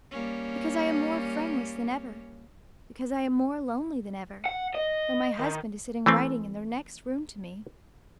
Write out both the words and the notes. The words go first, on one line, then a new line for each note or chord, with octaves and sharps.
Because I am more friendless than ever; because I am more lonely than ever, though my husband is sitting writing in the next room to me.
G3 A#3 C#4
F#5
D#5
D#3
E3 A3 C4